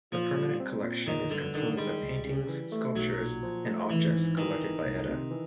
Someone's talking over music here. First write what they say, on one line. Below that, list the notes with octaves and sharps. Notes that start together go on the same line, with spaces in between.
The permanent collection is composed of paintings, sculptures and objects collected by Ede.
A#2 F3
G3
C4
A#2
G1 D#3
G2 D3
D3 D#3
G3 G#3
C#2
C#3
E3
A3
B1 F#3
A#2
F3
A3
G#1 E3
G#2
D#3 E3
G#1
C2
C3
E3